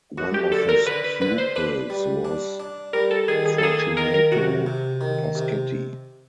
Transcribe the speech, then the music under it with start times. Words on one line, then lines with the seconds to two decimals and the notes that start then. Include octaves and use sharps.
One of his pupils was Fortunato Pasquetti.
0.18 F#2 F#4
0.34 G4
0.52 D3 A4
0.69 A#4
0.87 D3 B4
1.04 B4
1.21 D3 B4
1.38 C5
1.56 D4 B4
1.90 G3
2.25 D4
2.60 D4
2.93 G3 A#4
3.11 A4
3.28 D#3 G#4
3.46 G#4
3.58 A4
3.62 A#3 G#4
3.80 G#4
3.97 D#3 A#4
4.14 A#4
4.32 C3 F#4
4.66 C3
5.01 D#3
5.35 C3